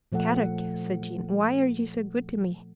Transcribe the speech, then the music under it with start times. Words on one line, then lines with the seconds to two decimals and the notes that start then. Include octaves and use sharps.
"Kadok," said Jean, "why are you so good to me?"
0.12 A#2 F3 A3 A4 F#5